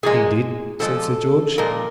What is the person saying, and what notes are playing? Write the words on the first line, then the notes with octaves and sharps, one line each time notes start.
"He did," said Sir George.
A#2 F3 G#3 G#4
A#2 F3 G#3 A4
A#2 F3 G#3 A#4